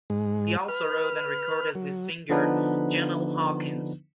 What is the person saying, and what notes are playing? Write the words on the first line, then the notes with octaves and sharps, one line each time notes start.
He also wrote and recorded with singer Jennell Hawkins.
G#2 G#3
B4 F6
F#3
D3 F3 B3 D4 D#4 B4